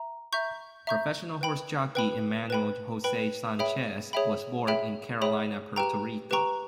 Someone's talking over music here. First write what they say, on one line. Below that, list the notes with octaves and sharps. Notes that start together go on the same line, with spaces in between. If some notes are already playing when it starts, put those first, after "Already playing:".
Professional horse jockey Emanuel Jose Sanchez was born in Carolina, Puerto Rico.
Already playing: E5 A#5
E5 A#5 C#6 G6
E5 A#5 C#6 G6
B4 G5 B5
B4 G5 B5
B4 G5 B5
B4 G5 B5
G#4 C#5 E5 G5 B5
G#4 C#5 E5 G5 B5
G#4 C#5 E5 G5 B5
G#4 C#5 E5 G5 B5
G4 B4 G5 A#5 C#6
G4 B4 G5 A#5 C#6